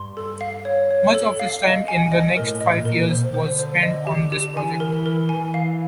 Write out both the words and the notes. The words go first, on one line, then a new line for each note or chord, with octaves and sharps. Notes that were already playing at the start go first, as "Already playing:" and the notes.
Much of his time in the next five years was spent on this project.
Already playing: G2 C6
A4
F5
C#5
C#5
A4
F5
D#5
G#5
D#5
A2 A#4
D#5
A#2
A#4
B2 C5
C5
D3
C5
D#5
G4
G4
E3 G#5
A#4
E3
A#4
E3 G#5
F5